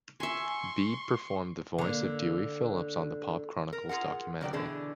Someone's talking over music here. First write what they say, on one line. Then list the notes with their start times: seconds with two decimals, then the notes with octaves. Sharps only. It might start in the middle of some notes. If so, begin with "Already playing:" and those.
Beebe performed the voice of Dewey Phillips on the Pop Chronicles documentary.
0.20 E5 G#5 C6 C#6
1.78 D3 A#3
3.73 A#4
3.89 F4 G#4 A#4 F#5
4.41 C#3 F#3 D5 G5
4.53 B2 D3 E3 D4 G#4